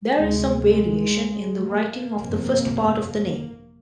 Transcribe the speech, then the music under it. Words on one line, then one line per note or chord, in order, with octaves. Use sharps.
There is some variation in the writing of the first part of the name.
D2 C3 G#3
G#3
A#3
G1 F2 C3